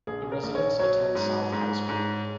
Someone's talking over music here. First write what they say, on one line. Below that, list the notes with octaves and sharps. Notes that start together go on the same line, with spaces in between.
The residents attend South High School.
A#1 G#4
A#4
A#1
C#5
F#3 C#5
G#2
G#2
G#2